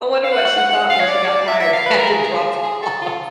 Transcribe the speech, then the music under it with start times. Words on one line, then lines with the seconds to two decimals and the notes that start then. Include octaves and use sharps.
I wonder what she thought when she got tired, had to drop off.
0.24 F5
0.32 F#5
0.45 F#5
0.58 F#5
0.70 F#5
0.90 F5
1.00 C#5
1.09 D5
1.24 C#5
1.28 D5
1.48 E5
1.60 E5
1.73 F5
1.86 B4
1.99 A#4
2.11 G#4
2.25 G#4
2.63 G#4
2.82 A4
3.02 F4